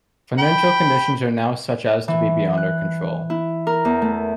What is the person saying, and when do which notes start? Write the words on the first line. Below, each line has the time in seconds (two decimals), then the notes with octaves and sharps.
Financial conditions are now such as to be beyond our control.
0.39 G5 B5
2.08 E3
2.57 F#6
3.30 E4
3.67 A#4
3.85 E2
4.02 A3